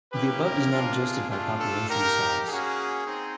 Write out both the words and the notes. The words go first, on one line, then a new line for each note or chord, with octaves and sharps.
The above is not adjusted by population size.
A#3 C#4 E4 G4 B4
A#4
A#3 D4 F4
G#4
A3 D4 F4
A4
A#3 D#4 G4 A#4
A#3 C#4 F#4 G#4
C4 D#4